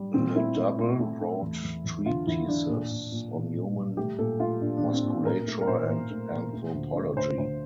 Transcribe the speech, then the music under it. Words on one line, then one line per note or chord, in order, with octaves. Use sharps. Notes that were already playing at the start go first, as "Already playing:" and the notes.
Le Double wrote treatises on human musculature and anthropology.
Already playing: G3
A#2 C4
A3 E4
A3 E4
A3
A3
A3
E2
E2
E2
D3 F4
E2 E4
E2 D4
A#2
A#2
A#2
A#2
A#2
G3
A3 G4
A#2 A4
A3 F4
A#2 D4
A#2 D4
C4
A#2
A#2 A#4
A3
A#4
A#2 C5
A#2
A3
A#2
A3
D2
A3
D2 C5
D2 C5